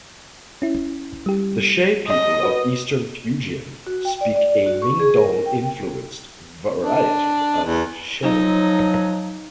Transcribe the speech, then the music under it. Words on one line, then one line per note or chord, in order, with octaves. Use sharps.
The She people of Eastern Fujian speak a Min Dong-influenced variety of She.
C#4 E4
G3 G4
D#5
F#4 B4
F#4
G5
D5
D5
F#4
C#6
G#4
A#4
G5
D4
E2
F3 F#3 D#4